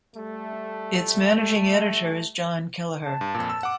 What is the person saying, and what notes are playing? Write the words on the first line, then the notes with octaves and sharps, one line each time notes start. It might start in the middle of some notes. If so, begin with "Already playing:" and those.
Its managing editor is John Kelleher.
G3 A3
A5
G2
F2 A#2
E6
F#5 D6